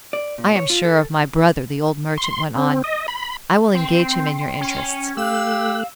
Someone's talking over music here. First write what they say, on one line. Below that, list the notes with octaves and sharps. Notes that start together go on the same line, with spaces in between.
"I am sure of my brother," the old merchant went on; "I will engage him in your interests."
D5
A#2
C#5
F4
A4
C6
C4
D#5
B5
C4 G5 C6
C#4
A3 G4 F5 E6 F#6